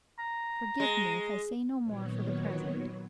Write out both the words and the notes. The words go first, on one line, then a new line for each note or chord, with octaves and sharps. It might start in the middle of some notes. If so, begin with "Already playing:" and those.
Forgive me, if I say no more for the present.
A#5
G#3
A#2 D#3 F#3 B3 C#5